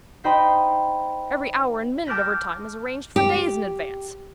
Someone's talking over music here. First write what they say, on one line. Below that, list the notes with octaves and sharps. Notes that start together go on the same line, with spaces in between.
Every hour and minute of her time is arranged for days in advance.
D#4 C5 D#5 G5 B5 C6
A5 D6 F6 G6 A#6 B6
G4